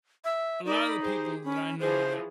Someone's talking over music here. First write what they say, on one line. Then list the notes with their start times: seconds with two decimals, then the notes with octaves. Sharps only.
a lotta the people that I know that
0.24 E5
0.66 D#4 A#4 D5 B5
1.02 G4 G#4 C5
1.44 C#4 B5
1.80 E3 F3 G#4 C5